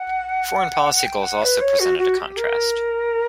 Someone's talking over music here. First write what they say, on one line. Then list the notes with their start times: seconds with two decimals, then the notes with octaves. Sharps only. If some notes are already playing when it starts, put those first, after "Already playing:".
Foreign policy goals also presented a contrast.
Already playing: F#5
1.04 G5
1.23 F#5
1.42 B4
1.61 C#5
1.80 F#4
1.98 F#4
2.18 G4
2.37 A#4